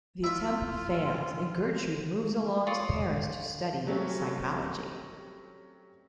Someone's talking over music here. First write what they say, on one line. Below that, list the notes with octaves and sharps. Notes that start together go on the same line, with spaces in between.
The attempt fails and Gertrud moves alone to Paris to study psychology.
E4 F4 E5
F4 C#5 D5 D#6
F#3 G3 A3 C4 C#4